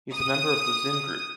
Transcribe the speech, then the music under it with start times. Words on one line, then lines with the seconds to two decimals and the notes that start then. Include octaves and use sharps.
He's a member of the Zin group.
0.13 D#6